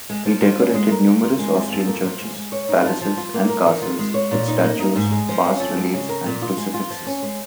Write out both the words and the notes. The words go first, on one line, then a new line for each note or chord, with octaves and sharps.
He decorated numerous Austrian churches, palaces and castles with statues, bas-reliefs and crucifixes.
G#3
F3
F3
C#4
G#3
A#4
D#3
F4
G#3
F2
F2
A#3
F3
G#3
G#3
C#5
D#4
F3
F3
F4
A#3
A#4
D#3
F4
G#3
C#5
A#2
D#4
A#3
D#4
G#2
G#3
F3
C#4
F2
G#3
C#3
A#4
A#2
F4
G#3
F4
F3
C#4
G#3